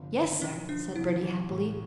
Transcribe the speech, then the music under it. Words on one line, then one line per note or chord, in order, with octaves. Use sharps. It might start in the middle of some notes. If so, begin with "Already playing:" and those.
"Yes, sir," said Bertie happily.
Already playing: G1 C2 F3
D#3
B1 C#4
F3 D4
C2 E4
E3
A2